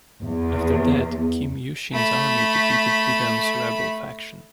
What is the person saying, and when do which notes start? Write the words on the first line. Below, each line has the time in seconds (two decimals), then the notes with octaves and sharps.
After that, Kim Yushin's army defeated Bidam's rebel faction.
0.23 E2
1.93 A3 B5